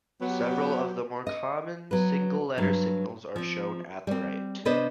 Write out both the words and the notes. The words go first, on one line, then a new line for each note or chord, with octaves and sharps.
Several of the more common single-letter signals are shown at the right.
F#3 B3 G4
D#5
F#3 B3 B4
G2 F#3
F3 C4
G3 C4
C3 B3 D4 B4 C5 D#5